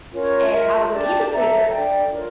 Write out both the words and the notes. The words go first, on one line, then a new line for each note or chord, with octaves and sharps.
and I was a people pleaser,
C#4 F4 A#4 C#5
F4 A#4 E5
D4 G4 D5 A5
A4 E5 A#5
D4 A4 D5 G5
F4 A#4 C#5